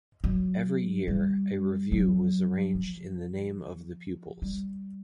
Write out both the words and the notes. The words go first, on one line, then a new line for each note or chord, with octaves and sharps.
Every year, a revue was arranged in the name of the pupils.
F#3
G3
F#3
F3
G3